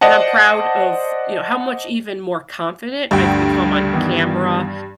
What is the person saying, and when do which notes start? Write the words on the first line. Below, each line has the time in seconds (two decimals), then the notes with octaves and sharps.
and I'm proud of, you know, how much even more confident I've become on camera,
0.01 C5 D5 D#5 F#5 A5
3.11 D2 G2 D3 G5
3.93 D#3 E3 B3